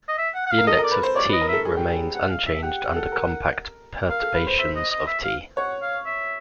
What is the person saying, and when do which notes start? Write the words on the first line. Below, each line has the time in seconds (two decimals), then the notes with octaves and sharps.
The index of "T" remains unchanged under compact perturbations of "T".
0.09 D#5
0.18 E5
0.35 F#5
0.47 F#5
0.51 F5
0.58 A#4
0.67 A4 D#5
0.79 A#4
0.84 D5
0.91 B4
1.03 C5
1.16 C#5 D5
1.29 B4
1.33 D#5
1.41 A#4
1.49 A4 E5
1.65 G#4
1.77 G4
1.88 G#4
2.14 F#5
2.30 F5
2.47 E5
2.63 G4 F#5
2.96 A4
3.12 A#4
4.10 A#4 F5
4.22 A4
4.34 B4
4.47 C5
4.59 C5 E5
4.76 D#5
4.91 D#5
5.07 E5
5.24 F5
5.57 C#5 F#5
5.82 F5
6.06 E5